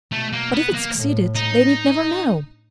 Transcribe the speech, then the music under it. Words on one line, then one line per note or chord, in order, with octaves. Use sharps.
'But if it succeeded, they need never know.
B2 A3
A#3
B3
A#3
A2
D#4